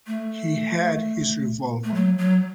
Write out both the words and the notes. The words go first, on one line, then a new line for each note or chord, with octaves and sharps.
He had his revolver.
A3
A3
F#3
F#3